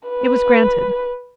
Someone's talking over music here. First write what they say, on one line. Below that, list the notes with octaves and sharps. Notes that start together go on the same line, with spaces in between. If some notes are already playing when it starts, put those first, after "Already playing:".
It was granted.
B4